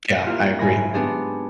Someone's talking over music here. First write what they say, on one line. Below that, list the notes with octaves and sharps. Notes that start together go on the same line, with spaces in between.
Yeah, I agree.
A#3 E4 F4 G4
F#1 G#2 G#5 B5 A#6
B3 C4 D4 G4 G#4